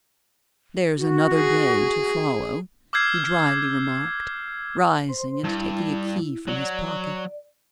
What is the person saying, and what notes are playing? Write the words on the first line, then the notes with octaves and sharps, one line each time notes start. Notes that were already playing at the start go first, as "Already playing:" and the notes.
"There's another day to follow," he dryly remarked, rising and taking a key from his pocket.
F#4
G#4
D6 E6 F6 G6 G#6 C7
C5 C6
G2 E4
F#3 D5